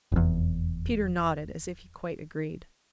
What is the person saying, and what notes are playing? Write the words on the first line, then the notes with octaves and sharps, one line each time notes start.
Peter nodded as if he quite agreed.
F1 E2